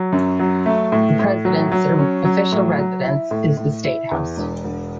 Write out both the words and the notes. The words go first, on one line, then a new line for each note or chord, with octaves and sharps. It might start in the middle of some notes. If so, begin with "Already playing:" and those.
The President's official residence is the State House.
Already playing: F#3
F#2
F#3
A3
A2
A2
F#3
F#3
C#4
F#3
A2
F#3
E4
A2
A2
E4
E2
E1
E1